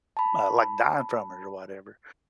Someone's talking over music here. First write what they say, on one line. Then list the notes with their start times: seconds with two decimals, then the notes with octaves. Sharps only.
uh like dying from it or whatever.
0.17 A5 B5